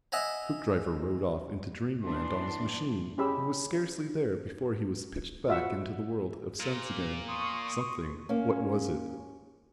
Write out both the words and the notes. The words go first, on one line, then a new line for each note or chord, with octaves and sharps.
Hoopdriver rode off into Dreamland on his machine, and was scarcely there before he was pitched back into the world of sense again.--Something--what was it?
D#5 E5 F#5 G#5 A#5
E3 B3 D4 C6
C#4 E4 G4 G#4 B5 E6
F4 F#4 E5 F#5
A#2
C6 C#6 D#6
A#3 C#4